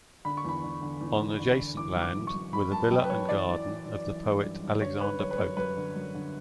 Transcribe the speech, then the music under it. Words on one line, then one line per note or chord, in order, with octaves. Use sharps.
On adjacent land were the villa and garden of the poet Alexander Pope.
D3 B5
C#6
E2 B5
D3
D3
E2
E2
D3
D3
E3 D6
F#2
D6
F#2
C#6
F#2
F#2 B5
F#2 A5
F#2 G5
B4
F#2 C#5
E3 D5
E3
E3
E3
E3
E3
G2
G2
D3 C#5
D3 B4
F#2 C#5
B4
F#2 C#5
F#2 B4
D3
F#2
D3